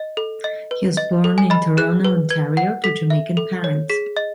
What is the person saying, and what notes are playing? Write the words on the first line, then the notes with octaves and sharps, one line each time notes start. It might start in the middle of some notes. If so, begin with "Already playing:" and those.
He was born in Toronto, Ontario to Jamaican parents.
Already playing: D#5
A4
D#5
B4
D#5
A4
G#5
D#5 B5
G#4 F#6
B4
B4 G#6
F#5
A4 B6
E5
A4
C#5
G#4 B6
D#5